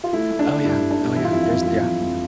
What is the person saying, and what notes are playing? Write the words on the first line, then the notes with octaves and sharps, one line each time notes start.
Oh, yeah. Oh, yeah. There's Yeah.
F4
A3 E4
A3
D4
A3
G2 E4
G2
D4
G2
E3 E4
F4
F2 E4
F4
F2
E4
F2 F4
F2
F2